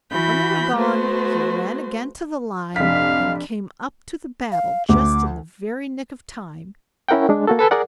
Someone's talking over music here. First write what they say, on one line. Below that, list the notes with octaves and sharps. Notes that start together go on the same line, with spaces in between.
When they were gone, he ran again to the lime, and came up to the battle just in the very nick of time.
E3 F#4 B5 G6
A3 B3 F#4 C5
F1 D4 F5 B6
F5
D2 D6
C#4 E4 A#4 F#5 G5
G#3 D4
A#3 F#4 A4
A4 B4 G#5
G#4 A#4 D5 F#5